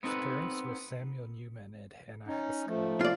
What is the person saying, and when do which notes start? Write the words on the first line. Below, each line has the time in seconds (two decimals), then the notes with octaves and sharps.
His parents were Samuel Newman and Hannah Haskell.
0.03 B3 C4 D#4 A4 B4
2.28 C#4 D#4
2.67 F3 A3
3.01 F4 D5